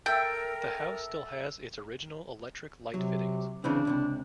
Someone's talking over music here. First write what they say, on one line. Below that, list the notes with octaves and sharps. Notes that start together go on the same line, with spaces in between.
The house still has its original electric light fittings.
A4 A#4 E5 G5
C3 F#3
C#3 E3 C4 D4
C#2 A2 C3